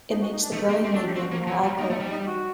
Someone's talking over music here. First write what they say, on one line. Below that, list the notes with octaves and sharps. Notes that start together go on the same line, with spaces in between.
It makes the growing medium more alkaline.
D#4
F#4
D#4
D4
A3 D#4
G4
A#3
G4
C4 G4
D4 F#4 A4
G4
C4 F#4
A#3
F#3
G3
A#3 D#4
A3
G3
D#4
F#4